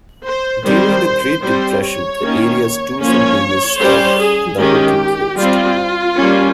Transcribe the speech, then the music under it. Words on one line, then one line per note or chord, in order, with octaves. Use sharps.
During the Great Depression, the area's tourism business stopped and the hotel closed.
C5
D#3 G3 C4 C5
G3 C4 C5
C#5
D#3 A#3 C#4
F3 A#3 C#4 C#5
G3 C5
C#4
G#4
D#3 G#3 C#4 G4
G3 F4
C4
G3 A#3 C#4